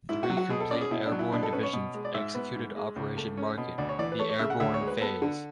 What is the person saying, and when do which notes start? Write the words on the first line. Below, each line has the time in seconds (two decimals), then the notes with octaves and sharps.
Three complete airborne divisions executed Operation Market, the airborne phase.
0.09 G#2 E4
0.23 F#4
0.30 F#3
0.37 F#4
0.50 B2 G#4
0.60 A4
0.71 C#4 D5
0.81 G#4
0.91 B2 E4
1.05 D4
1.12 F#3
1.19 E4
1.32 B2 D4
1.43 A4
1.53 C#4 B4
1.63 C#5
1.73 B2
1.94 G#3
2.05 D5
2.14 G#2 E5
2.35 B3
2.55 G#2
2.76 G#3
2.96 C#2
3.17 A3
3.37 C#4
3.57 B2
3.78 D2 D5
3.89 C#5
3.99 E3 D5
4.12 B4
4.19 A3 C#5
4.29 C#5
4.39 C#3 E5
4.50 F#5
4.60 D2 E5
4.74 C#5
4.80 G#3
4.87 B4
5.01 B3 A4
5.22 D3